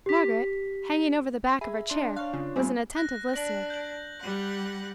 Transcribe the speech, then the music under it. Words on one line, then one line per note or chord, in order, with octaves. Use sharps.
Margaret, hanging over the back of her chair, was an attentive listener.
G4 B6
G#4 E5 B5
D4 C6
C#5 F5 C#6 F#6
C#3 F4
A2 G3 B3 C4 G#5
F#6 A#6
D4 A#6 F#7
G6 F#7
G3 F#5